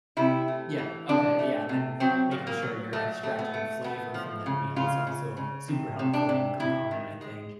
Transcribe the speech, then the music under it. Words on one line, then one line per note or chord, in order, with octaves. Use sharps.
Yeah, okay, yeah, and then, making sure you're extracting flavor from that meal is also super helpful component, I think,
C3 E4
A3
E3
C3 D4
A3
C3
F#3 C4
A#2
A#3
F#3
A#2 A3
A3
B3
A3
A3 B3
F3
C#3
C#3 F4
C#3
C#3
C3
C3
D4
C3
C3 E4
D#3
G#3